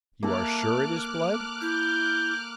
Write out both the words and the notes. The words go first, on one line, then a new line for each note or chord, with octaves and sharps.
"You are sure it is blood?"
A#3 A4 E5 D6 F6 F#6
E4 G6